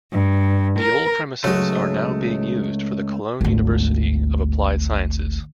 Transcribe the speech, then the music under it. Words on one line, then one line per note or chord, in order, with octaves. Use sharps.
The old premises are now being used for the Cologne University of Applied Sciences.
G2
A#4
C#2 F#3 G#3 A3
G#1 D2